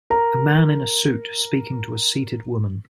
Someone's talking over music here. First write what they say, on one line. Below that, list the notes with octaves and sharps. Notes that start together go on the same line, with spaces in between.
A man in a suit speaking to a seated woman.
A#4 A#5